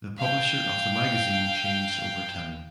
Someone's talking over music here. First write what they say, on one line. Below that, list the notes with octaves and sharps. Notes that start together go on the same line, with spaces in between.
The publisher of the magazine changed over time.
F5 G5